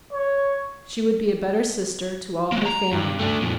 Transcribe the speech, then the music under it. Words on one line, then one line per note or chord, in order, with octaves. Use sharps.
She would be a better sister to all her family.
C#5
G#3 A#3
A#5
G2
A3 D4
F2 A#2